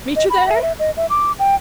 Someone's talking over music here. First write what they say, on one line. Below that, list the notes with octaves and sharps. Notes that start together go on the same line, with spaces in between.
Meet you there?
D#5
B5
E5
E5
D#5
E5
D6
G5